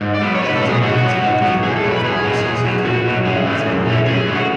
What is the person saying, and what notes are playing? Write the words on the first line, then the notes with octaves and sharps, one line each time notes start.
She is a non-executive director of Morrisons, Cable and Wireless and Home Retail Group.
G#2
D5
F#3 B3
C#5
G#2 B4
A4
F#3 B3
G#4
G#2 F#4
F#3 B3
G#2
F#3 B3
E2 G#4
A4
B2 F#3
B4
E2 G#4
B2 F#3
E2
B2 F#3
E2 F#4
B2 F#3
F#2 G#4
E3 A3 C#4
F#2
E3 A3 C#4
F#2 G#4
E3 A3 C#4
F#4